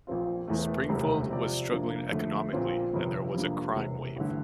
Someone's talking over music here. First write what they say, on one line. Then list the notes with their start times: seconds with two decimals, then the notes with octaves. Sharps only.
Springfield was struggling economically, and there was a crime wave.
0.07 A#1 A#2 F3 C4 F4
0.48 E1 E2 E3 A3
0.89 E1 D2 C3 G3
1.30 C3 F3 C4 G4 D5
1.71 F2 C3 G3 A#3 D4
2.11 F2 D3 A3
2.53 A#1 A#2 F3 C4 F4
2.93 G1 F2 C3
3.34 F2 C3 G3 A#3 D4
3.76 E1 E2 C3
4.16 A1 G2 D3